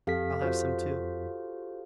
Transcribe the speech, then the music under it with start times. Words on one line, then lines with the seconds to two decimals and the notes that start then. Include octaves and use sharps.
I'll have some too!
0.07 F2 G4 A4 F5 B6
0.42 F4 F#4 C5